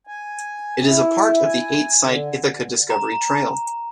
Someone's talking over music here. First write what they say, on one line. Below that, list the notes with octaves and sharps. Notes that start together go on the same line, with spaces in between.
It is a part of the eight-site Ithaca Discovery Trail.
G#5
E4
G#5
D3
A#5